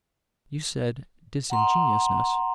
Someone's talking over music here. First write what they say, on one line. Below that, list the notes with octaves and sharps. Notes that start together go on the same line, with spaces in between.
You said disingenuousness.'
F#5 A#5 C6